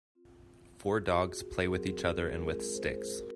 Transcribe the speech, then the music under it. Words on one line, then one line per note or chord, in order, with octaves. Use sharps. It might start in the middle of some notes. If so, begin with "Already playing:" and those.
Four dogs play with each other and with sticks.
C4 F4
C4 F4 G#4
F#4
A#4
F#3 C4 F#4 G#4
G#4
G#3 C4 F4 A#4
C5
G#4
C4 F#4 A#4